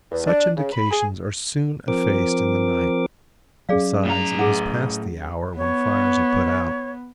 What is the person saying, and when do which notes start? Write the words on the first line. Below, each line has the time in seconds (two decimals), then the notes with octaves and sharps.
Such indications are soon effaced in the night; besides, it was past the hour when fires are put out.
0.12 E2
0.27 D4
0.57 C#3
0.72 B5
0.91 G#4
1.88 F3 C4 A#4 D6
3.69 F#3 C#4 G#4 D5 F5
4.05 A2 A#5
4.39 G#4 F#5
5.57 B3 C#5